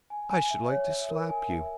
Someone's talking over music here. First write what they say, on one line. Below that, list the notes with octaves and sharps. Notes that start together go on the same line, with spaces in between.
"I should like to slap you."
G#5
G#5
E5
C#5
E5
A#4
G#5
E5